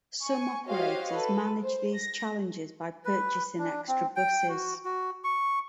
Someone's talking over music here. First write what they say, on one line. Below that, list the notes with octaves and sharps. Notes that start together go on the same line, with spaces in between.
Some operators manage these challenges by purchasing extra buses.
G#5 C#6
F#4 G4 C5 C#5 D#5 F5
A4 B4
C5
A#6
B4
D4
C4
G5
F#4
F#4
C#6